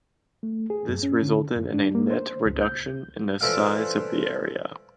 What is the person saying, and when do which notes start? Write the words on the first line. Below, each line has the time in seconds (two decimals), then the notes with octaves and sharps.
This resulted in a net reduction in the size of the area.
0.43 A3
0.70 G#4
0.89 F#2
1.03 C#4
1.22 D3
1.56 F#2
1.74 D4
1.95 A#3
2.11 C5
2.45 C#2
2.61 G6
3.41 E3 F3 A4 D5 F5